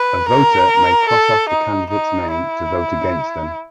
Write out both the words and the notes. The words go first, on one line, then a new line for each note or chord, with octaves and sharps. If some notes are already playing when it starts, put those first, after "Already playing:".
A voter may cross off the candidate's name to vote against them.
Already playing: B4
A#4
A4
D#4
D#4
E4